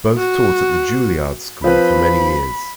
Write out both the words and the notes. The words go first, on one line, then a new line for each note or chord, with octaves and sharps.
Both taught at the Juilliard School for many years.
F#4
F3 C4 B4 B5